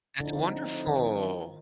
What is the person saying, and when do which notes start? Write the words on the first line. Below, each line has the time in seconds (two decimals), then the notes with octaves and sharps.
That's wonderful.
0.20 A2 D3 F3 C4 D#4
0.87 D#3